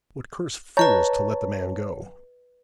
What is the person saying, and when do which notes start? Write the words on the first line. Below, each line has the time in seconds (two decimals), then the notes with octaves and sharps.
'What cursed fools to let the man go!
0.77 B4 C#5 D#5 A5 A#5 G6